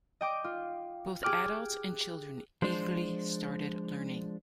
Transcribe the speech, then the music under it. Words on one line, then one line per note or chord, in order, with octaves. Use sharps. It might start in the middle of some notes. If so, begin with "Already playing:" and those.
Both adults and children eagerly started learning.
D#5 G5 D6
F4
G4 G#4 G5 D6 F6 F#6
F3 G#3 D4 C5